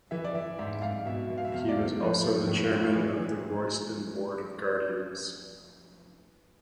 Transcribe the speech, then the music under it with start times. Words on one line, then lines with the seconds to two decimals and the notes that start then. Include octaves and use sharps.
He was also the chairman of the Royston Board of Guardians.
0.11 E3 E5
0.24 D5
0.35 E3 E5
0.58 G#2 E5
0.82 G#2 F5
1.05 B2 E5
1.30 B2
1.38 F5
1.45 E5
1.53 E2 F5
1.69 D5
1.77 E2
2.00 F3 B4
2.24 F3
2.32 A4
2.47 A2
2.63 F4
2.71 A2
2.96 E3 G#4
3.19 E3